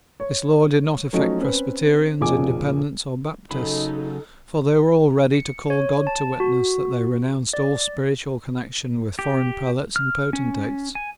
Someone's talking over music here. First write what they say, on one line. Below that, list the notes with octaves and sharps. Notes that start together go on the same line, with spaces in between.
This law did not affect Presbyterians, Independents, or Baptists; for they were all ready to call God to witness that they renounced all spiritual connection with foreign prelates and potentates.
C#5
F3 F#3 A3 C#4 D#4 F#4
C4 C#4 B4
B1 F2 A#2 C#3 G#5 D6
C#3 F#3 D#4 A4 B5
C#7
C#5
A5
F#4
D5
G4
F6
C#4
G#5